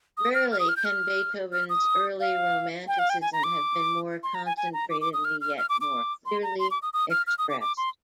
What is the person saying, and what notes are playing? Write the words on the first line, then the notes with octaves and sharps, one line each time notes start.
Rarely can Beethoven's early romanticism have been more concentratedly yet more clearly expressed.
D#6
F6
F6
D#6
F6
G6
F6
F6
D#6
F5
G5
F5
G5
G#5
A#5
D6
C6
A#5
G#5
G#5
A#5
D6
D6
D#6
F6
F6
F6
D6
D6
C6
A#5
C6
D6
D#6
D#6
F6
F6
D#6
D6
D6
C6